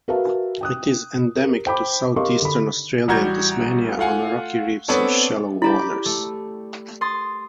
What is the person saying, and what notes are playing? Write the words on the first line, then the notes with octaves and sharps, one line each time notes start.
It is endemic to southeastern Australia and Tasmania on rocky reefs in shallow waters.
F#4 A#4 B4 E5 F5 A5
G5 D#6 F#6
G4 A#4
C5 G5 A5 B5 D6
G4 A#4 D#5 F5 C6 C#6
D3 B5
A1 G3 F#4 A#5 G6 G#6
A3 F4 F5 F#5 G#5
B3 C4 D4 A4 C#5
E4 G4 D5 A#5 B5
A3
C6 D#6 A6